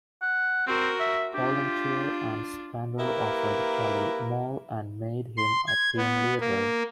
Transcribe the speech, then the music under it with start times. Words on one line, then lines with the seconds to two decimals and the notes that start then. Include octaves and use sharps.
Pollentier and Splendor offered Kelly more and made him a team leader.
0.22 F#5
0.67 C4 F#4 A#4
1.00 E5
1.34 D4 F4 G4
2.98 A#3 E4 G4 A#4 B4
5.37 C6
5.67 G#6
5.97 B3
6.41 A#3